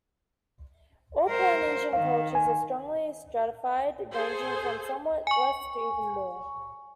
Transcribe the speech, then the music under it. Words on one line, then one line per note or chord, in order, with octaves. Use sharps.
All Polynesian cultures are strongly stratified, ranging from somewhat less to even more.
A#4 C5
D#3 F5
G#5
G#4 A4 C5
G#5 C#6